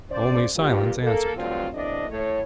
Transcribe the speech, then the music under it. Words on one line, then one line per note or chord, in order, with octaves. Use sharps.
Only silence answered.
C#3 C5 D5
G2 A#3 F4 G4
A#3 A4
G2 D3 F#3 A3 C4 F4
E2 A2 C3 D4 D5 D#5
A2 A3 C#5